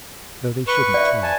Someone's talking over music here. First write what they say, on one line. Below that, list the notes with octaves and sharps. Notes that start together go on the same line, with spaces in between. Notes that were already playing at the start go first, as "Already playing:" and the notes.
Though they shouldn't talk.
B4 C#6
D5 E5
G#5 A5